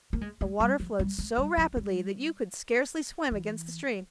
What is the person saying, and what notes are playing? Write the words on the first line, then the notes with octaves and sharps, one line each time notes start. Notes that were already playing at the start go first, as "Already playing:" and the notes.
The water flowed so rapidly that you could scarcely swim against the stream.
A#3
G#3
G#3
G3
F3
G3
G#3
G3
F3
G3
E3